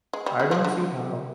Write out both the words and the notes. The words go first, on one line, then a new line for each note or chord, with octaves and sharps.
I don't see how.
G#3
G3
G3
F3
D3